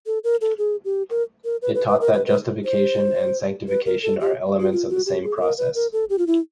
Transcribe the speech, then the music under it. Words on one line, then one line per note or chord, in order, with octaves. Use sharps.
It taught that justification and sanctification are elements of the same process.
A4
A#4
A4
G#4
G4
A#4
A#4
B4
B4
B4
A#4
B4
B4
C5
B4
A#4
A4
G4
F#4
F4
F#4
G4
G#4
A4
A#4
B4
A#4
A4
G4
F4
E4